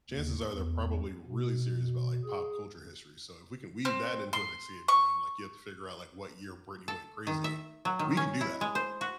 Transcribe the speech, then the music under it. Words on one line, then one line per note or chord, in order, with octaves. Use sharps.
chances are they're probably really serious about, like, pop culture history, so if we can weave that into an escape room, like, you have to figure out, like, what year Britney went crazy, we can do that.
D#2
E2
B2
G#4
C4
C6
C#6
A4
D#3
E5
F#3
D#3
C#4
E4
G#3
C5
F#4